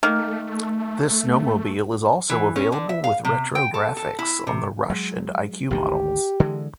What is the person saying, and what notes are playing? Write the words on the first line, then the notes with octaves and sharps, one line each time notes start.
This snowmobile is also available with retro graphics on the Rush and Iq models.
D#3 A3 A#3
E3
C#4
D3
E5
F5
C3
G5
A4
A4
E4
C3
F#3 G#3
G#1 D2 D#3 G4
D3 E3 G#3